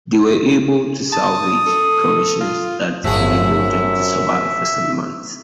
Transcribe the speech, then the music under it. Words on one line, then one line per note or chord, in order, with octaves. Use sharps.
They were able to salvage provisions that enabled them to survive for some months.
A5 D#6
A4
F4
G1 F#2 A2 F3 F#4 G#4 E5